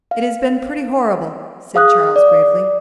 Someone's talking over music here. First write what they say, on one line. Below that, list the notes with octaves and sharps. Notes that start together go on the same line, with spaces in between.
"It has been pretty horrible," said Charles gravely.
F5
G#4 F5 D#6 F#6
D5